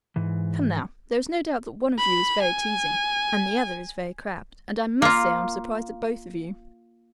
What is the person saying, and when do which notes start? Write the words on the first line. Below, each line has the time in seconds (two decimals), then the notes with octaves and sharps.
"Come, now, there is no doubt one of you is very teasing and the other is very crabbed, and I must say I am surprised at both of you."
0.16 G#2 E3
1.98 B5
2.42 G#5
5.02 A#3 F4